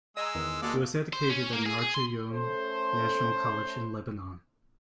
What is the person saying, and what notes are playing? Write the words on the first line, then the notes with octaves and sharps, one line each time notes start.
He was educated at Narj' Oyoun National College in Lebanon.
G#3 D#5 G#5 A#5 E6
E2 D#3
G#3 A#3 F#4 A4 D5
C5
C#4
A#3
G#4
G#4
C6
A3 C#4 A4 C5